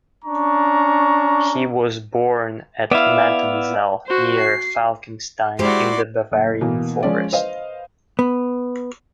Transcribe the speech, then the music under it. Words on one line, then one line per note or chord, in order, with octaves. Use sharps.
He was born at Mattenzell, near Falkenstein in the Bavarian Forest.
C#4 D4 A#5 C#6
B3 E4 D5 E5 F5
F#4 C5
C7
G#3 E4 F#4 G4 C5 D5 C6
F#1
B2 E3 A#3
F3 G#3 C#4 D5
B4 C5 D#5 F5
B3